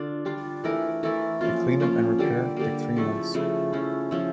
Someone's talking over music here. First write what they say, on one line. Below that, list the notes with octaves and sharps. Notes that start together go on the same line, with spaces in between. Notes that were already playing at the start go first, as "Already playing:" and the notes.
The clean-up and repair took three months.
Already playing: D3 D4 F4
G3 D4 F4
E3 A3 E4 A#4
E3 A3 E4 A#4
F3 A#3 C#4 F4
F3 A#3 C#4 F4
D3 G3 A#3
D3 G3 A#3
C#3 F3 A3 E4
C#3 F3 A3 E4
F3 C#4 E4
F3 C#4 E4